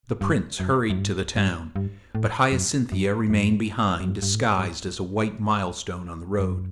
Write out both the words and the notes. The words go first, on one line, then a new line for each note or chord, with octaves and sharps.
The Prince hurried to the town, but Hyacinthia remained behind disguised as a white milestone on the road.
G2
F#2
F#2
G2
G2
G2
A2
F#2
F#2
F#2
F#2
G2
G2
A2
G2
F#2